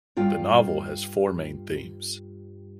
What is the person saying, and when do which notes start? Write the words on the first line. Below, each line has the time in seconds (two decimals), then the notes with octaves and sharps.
The novel has four main themes.
0.17 G2 F4 G5